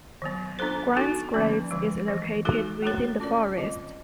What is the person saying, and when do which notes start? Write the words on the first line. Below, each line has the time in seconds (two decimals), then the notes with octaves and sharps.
Grimes Graves is located within the forest.
0.22 D#3 F#3 B3
0.59 B3 D4 F4 A4 C5
0.97 B3 D#4 F#4 A4
1.34 D3 F3 A#3 C#4
1.71 D3 F3 G#3
2.08 E3 G3 B3
2.45 G#3 B3 D#4 F#4 A4
2.82 A3 D4 F#4 A4 C#5
3.20 C#4 F4 A#4 D5
3.57 D#3 G3 C4 F4